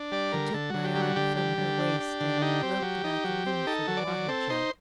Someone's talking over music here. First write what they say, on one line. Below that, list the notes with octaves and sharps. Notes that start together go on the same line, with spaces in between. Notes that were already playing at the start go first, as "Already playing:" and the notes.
I took my arm from her waist and groped about the room for the water-jug.
Already playing: D4
G3 D5
D3 A#4
D3 A4
D3 F#4
G4
G3
F#4
D3 G4
G3
D3
D4
D4
D3
D#4 G4
C4
F#3
D#4
F#3
C4
D#4 A4
F#3
D5
F#3
C4 A4
D#4 C5